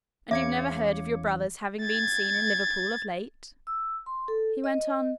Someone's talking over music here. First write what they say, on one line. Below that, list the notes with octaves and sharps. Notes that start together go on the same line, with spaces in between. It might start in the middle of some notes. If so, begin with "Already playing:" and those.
"And you've never heard of your brother's having been seen in Liverpool of late?" he went on.
E2 C#4 C#5 E5 F5 D6 G#6 C#7
G#6 A6
E6
C6
A4
D#5